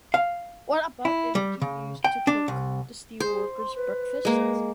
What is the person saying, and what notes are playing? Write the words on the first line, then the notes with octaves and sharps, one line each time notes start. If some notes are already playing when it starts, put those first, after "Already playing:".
What about the energy used to cook the steelworker's breakfasts?
F5
E4
G3
C#3
G5
D4
C2
G#4 C5
C6
B4
G#3 A#3